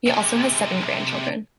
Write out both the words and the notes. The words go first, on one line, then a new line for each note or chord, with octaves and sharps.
He also has seven grandchildren.
C3 G#3